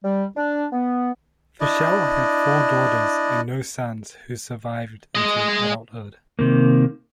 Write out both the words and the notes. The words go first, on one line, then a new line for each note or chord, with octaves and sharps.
Fischel had four daughters and no sons who survived into adulthood.
G3
D4
B3
D4 E4 D5 D#5
G#3 D#5
C3 D#3 A#3